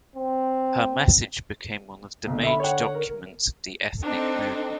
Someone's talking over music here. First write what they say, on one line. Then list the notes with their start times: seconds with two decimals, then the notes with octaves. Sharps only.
Her message became one of the major documents of the "ethnic movement".
0.16 C4
2.27 B1 D3
2.43 E5 B5
2.60 C#5 F#5
2.95 A#4
4.02 C4 D4 D#4 A4